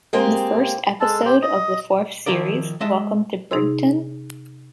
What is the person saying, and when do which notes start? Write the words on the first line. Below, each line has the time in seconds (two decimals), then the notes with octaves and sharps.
The first episode of the fourth series, Welcome To Brighton?
0.13 G#3 A#3 C4 G4
1.01 G#3 A4 A5
1.25 G4 C5
1.42 D#5
2.26 D#3 F3 E4 A#4 D5
2.80 G#3 D#5 E5 A5
3.51 C3 D#4 G#4 C6 E6